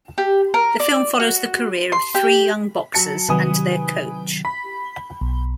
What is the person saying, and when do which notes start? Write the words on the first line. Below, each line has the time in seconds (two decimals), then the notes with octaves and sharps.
The film follows the career of three young boxers and their coach.
0.18 G4
0.54 A#4
0.80 D5
1.20 F#4
1.92 C6
2.15 G4
2.94 F#3 A5 C#7
3.29 C3 D#3 F#3 B4 G#5 D#6
4.45 B5 B6
5.21 B1